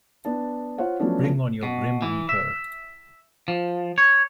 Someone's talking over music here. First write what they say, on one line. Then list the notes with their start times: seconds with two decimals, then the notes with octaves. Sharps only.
Bring on your grim reaper!
0.25 B3 D4 A5
0.78 F4 C5 C#5 F5 F#5
1.00 F3 F#3 A3 B3 C#4 D4
1.63 B2
2.02 E3
2.29 E5
3.48 F3
3.98 C#5